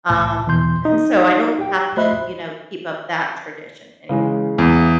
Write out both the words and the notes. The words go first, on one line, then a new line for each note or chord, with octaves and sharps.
um, and so I don't have to, you know, keep up that tradition anymore,
C2 A2 A5
E2 B2 E3 C6 G6
D#4
G4 G5
A3 C5 D#5 E5 B5 F#6
C#3 E3 G#3
E2